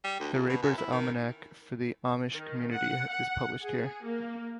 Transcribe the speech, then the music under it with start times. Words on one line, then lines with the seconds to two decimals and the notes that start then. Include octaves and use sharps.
The Raber's Almanac for the Amish community is published here.
0.04 G3
0.20 D2
0.33 C#2
0.49 B2
0.62 F#2
0.78 E4
0.92 D#3
2.32 D#3
2.72 F#5
3.09 F#5
3.63 G#4
4.04 A#3